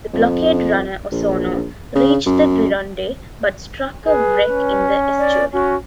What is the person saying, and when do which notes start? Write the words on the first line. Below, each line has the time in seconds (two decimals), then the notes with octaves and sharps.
The blockade runner "Osorno" reached the Gironde, but struck a wreck in the estuary.
0.13 F2
1.12 A#1
1.95 C#3
2.26 F#2
4.06 G#4 B4
4.49 C#4
5.19 D5
5.53 C#4 F#4